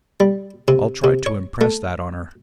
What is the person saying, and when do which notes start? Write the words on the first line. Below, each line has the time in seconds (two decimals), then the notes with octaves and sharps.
I'll try to impress that on her.
0.20 G3
0.68 C3
1.04 C3
1.26 C#5
1.61 A3